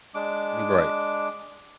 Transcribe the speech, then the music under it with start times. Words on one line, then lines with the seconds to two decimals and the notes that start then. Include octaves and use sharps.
M right.
0.15 G#3 D4 D6